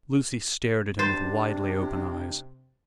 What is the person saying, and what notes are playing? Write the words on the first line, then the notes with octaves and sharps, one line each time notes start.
Lucy stared at him with widely-open eyes.
C3 D4 C5 A6